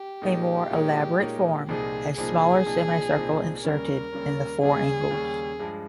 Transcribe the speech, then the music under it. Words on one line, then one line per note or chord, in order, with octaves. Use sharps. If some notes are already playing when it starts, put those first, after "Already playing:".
A more elaborate form has smaller semicircle inserted in the four angles.
Already playing: G4
A#2 G#3 D#4 A#4 C#5
A#2 G#3 D#4 A#4 C#5
A#2 G#3 D#4 A#4 C#5
C2 A#2 F3 C4 D#4 G#4
C2 A#2 F3 C4 D#4 G#4
C2 A#2 F3 C4 D#4
C2 A#2 F3 C4 D#4
D#2 C#3 G3 C#4 A#4
D#2 C#3 G3 C#4
D#2 C#3 G3 C#4 G#4
D#2 C#3 G3 C#4
G2 F3 G#3